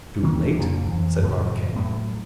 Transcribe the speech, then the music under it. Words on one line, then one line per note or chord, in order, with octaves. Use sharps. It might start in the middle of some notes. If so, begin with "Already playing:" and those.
"Too late?" said Barbicane.
D#3 E3 A#3 C#4
A3 D4
F2 A#2 C#3
F2 E3
F#2 A2 C#3 F#3
A2 F#3 A3